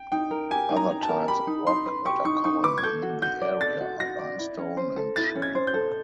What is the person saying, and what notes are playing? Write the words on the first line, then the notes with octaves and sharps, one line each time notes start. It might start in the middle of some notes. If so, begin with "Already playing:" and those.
Other types of rock that are common in the area are limestone and shale.
Already playing: G5
D#4 G5
A#4
G4 G#5
D#4
A#5
D#4
A5
A#4
G4 B5
D#4
D#4 C6
B4
G4 C#6
D#4 C#6
D#4 C#6
B4 D6
G#6
A4 G6
F#4
F#4 G6
D5
A4 A6
F#4
F#4 A#6
D5
E4
C#4
C5
A4
E4 A6
C#4
G#6
C5
G6
A4